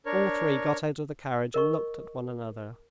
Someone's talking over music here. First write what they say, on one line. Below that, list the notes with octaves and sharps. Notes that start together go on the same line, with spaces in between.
All three got out of the carriage and looked at one another.
D4 A#4 C#5
A#4 D#5 C#6